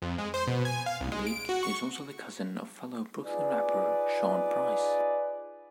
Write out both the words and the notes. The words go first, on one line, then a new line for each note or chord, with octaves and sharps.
Bleek is also the cousin of fellow Brooklyn rapper Sean Price.
F2
G#3
C5
B2
G#5
F5
C2
G#3
D7
F#4
C#6
D#4 F4 G#4 B4 D5